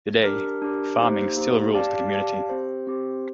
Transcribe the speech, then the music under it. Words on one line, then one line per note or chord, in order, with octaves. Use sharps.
Today, farming still rules the community.
D4 G4 A#4
D4 G4 A#4
A#3 D#4 G4 C5
A#3 D#4 G4 C5
G4 D5 F5 A5
G4 D5 F5 A5
C4 G4 C5
C4 G4 C5